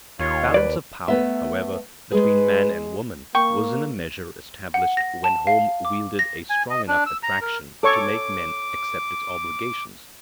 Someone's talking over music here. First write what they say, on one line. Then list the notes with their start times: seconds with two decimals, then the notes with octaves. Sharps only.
Balance of power, however, between man and woman was in a measure established when home wielded a strong enough attraction to make men accept its obligations.
0.19 D#2 F4 C#5
0.54 B4 D5
1.08 A3 B3 E5
2.12 G#3 G#4 B4
3.35 A#3 G5 C#6
4.74 F#5
4.97 A#6
5.24 A5
5.47 F5
5.85 D6
6.19 A#6
6.50 G#5
6.70 D#5
6.88 D4
7.06 E6
7.23 A#5
7.41 A#4
7.83 A4 C#5 C#6 D6